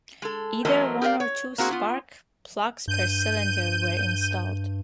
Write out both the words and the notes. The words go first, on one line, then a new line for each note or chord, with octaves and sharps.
Either one or two spark plugs per cylinder were installed.
G#3 A4
E3 F#3 A3 C4 A#4 D#5
G4 A#4 D5 D#5 F5
C#5
A#3 C4 F#4 G#4
B3 F4
G2 G6 D#7